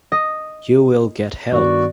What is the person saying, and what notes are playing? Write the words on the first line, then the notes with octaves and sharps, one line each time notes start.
You will get help.
D#5
G2 D#3 B3 F#4 D5